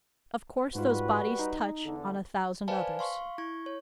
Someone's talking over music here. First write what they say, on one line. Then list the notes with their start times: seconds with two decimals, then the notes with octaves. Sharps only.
Of course those bodies touch on a thousand others.
0.75 G#2 G3 F4 F#4 B4
1.39 D#4
1.85 E2 D3
2.68 B4 C5 D5 F5 G#5 A5
2.99 F5 C6 C#6
3.38 E4 C#6 G#6
3.66 C#5